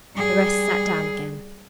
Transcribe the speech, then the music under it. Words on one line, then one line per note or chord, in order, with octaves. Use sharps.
The rest sat down again.
G3 G#4